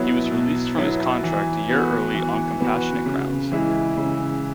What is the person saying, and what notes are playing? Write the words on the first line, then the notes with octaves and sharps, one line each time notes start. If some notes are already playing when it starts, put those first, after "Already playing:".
He was released from his contract a year early on compassionate grounds.
Already playing: B2 F#3 B3 E4
B2
F#3 B3 E4
E3
B3 F#4
E3
B3 F#4
C#3
E3 G#3 E4
C#3